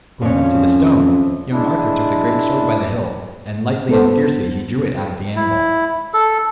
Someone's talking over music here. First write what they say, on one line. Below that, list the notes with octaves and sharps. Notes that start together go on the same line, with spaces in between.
Going up to the stone, young Arthur took the great sword by the hilt, and lightly and fiercely he drew it out of the anvil.
F2 C#4
G#3 D4 E4
B3 A4 C5
E4
A4